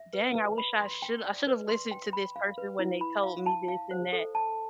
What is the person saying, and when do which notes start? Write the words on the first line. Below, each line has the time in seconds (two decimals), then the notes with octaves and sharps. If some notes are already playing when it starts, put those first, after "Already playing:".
"Dang, I wish I should I should have listened to this person when they told me this and that,"
Already playing: E5
0.13 B4
0.36 B4
0.58 B5
0.80 C6
1.02 G5
1.24 D5
1.47 B4
1.69 C6
1.91 G5
2.13 B5
2.36 F5
2.58 B4
2.79 E4
3.01 B5
3.23 F5
3.46 A5
3.68 F5
3.91 C5
4.12 A4
4.35 A5